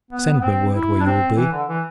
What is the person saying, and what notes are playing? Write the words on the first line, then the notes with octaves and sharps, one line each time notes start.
Send me word where you will be.
B3
B3
C4
E4
D4
C4
E3
D3
E3